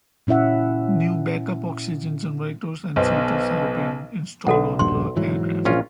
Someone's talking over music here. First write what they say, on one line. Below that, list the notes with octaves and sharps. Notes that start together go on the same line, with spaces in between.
New backup oxygen generators and filters have been installed on the aircraft.
A#2 C#4 E4 E5 F#5
B1 B2 C5
B1 F#4 A4 F#5
D#1 A#1 G2 C6
G#2 E3 F#3
A#1 C#4 F4